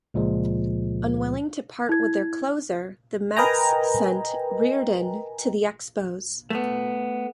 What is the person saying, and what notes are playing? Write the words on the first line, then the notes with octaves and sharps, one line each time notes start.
Unwilling to part with their closer, the Mets sent Reardon to the Expos.
C#2 A#2 F3 G#3
E4 G#6
A#4 B4 D#5 G5 G#5 A#5
A3 B3